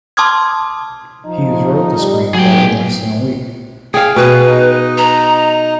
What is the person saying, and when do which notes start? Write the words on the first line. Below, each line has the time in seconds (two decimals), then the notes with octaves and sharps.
Hughes wrote the screenplay in less than a week.
0.17 A5 C6 D6 D#6 F6 G#6
1.26 F3 D#4
1.98 G3
2.34 G#2 F#3 G#4 G5
3.94 G#4 F5 G5
4.16 B2 B4
4.46 D#4 D#5
4.98 A#5